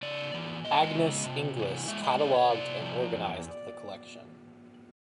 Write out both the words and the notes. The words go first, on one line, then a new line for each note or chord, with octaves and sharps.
Agnes Inglis cataloged and organized the collection.
C#3 D5
E3
G#3 D#5
C#3
C3
E3
G#3 E5
D#5
D3 D5
C#5
C3 D5
F3
E2